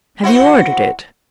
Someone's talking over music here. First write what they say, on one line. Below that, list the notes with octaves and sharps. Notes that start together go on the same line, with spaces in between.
Have you ordered it?'
E4 F#4 C5